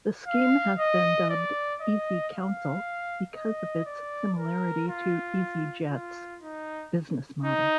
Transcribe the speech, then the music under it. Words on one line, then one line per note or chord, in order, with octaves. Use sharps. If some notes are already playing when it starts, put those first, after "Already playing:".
The scheme has been dubbed easyCouncil because of its similarity to EasyJet's business model.
F5
D#5
D5
D#5
F5
D#5
D5
A#4
F4
F4
D#4
D#4